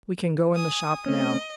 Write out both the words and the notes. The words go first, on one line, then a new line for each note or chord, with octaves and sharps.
"We can go in the shop, now."
G#5 D#6
A3 C4 C#4 D#5